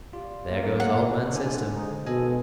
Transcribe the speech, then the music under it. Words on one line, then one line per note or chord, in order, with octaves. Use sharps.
"There goes old man System!"
F4 G4 D5
A#3
F#5
F#1 C2 D3 C5 G#5
G#3 D#4
B2 D#3 F3 G#3 A4 D#5 G#5